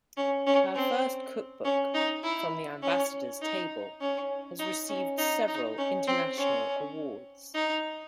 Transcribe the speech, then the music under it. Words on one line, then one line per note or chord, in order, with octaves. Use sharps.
Her first cookbook, "From the Ambassador's Table", has received several international awards.
C#4
C#4
C4
C#4
D#4
E4
C#4
D#4
C#4
D#4
C#4
D#4
D#4
C#4
C4
C#4
D#4